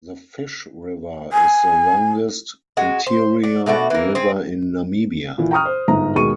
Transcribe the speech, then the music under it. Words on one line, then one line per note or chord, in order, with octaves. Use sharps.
The Fish River is the longest interior river in Namibia.
G#5
G#3 F#4
C5
D4
B2 A3 D4 F#4
E3 A#3
C4 G#4
A#2 E3
G5 A#5 C#6 D#6 F6
C5
G1 G#2 A#5
D#2 B2 G#3 C#6 D#7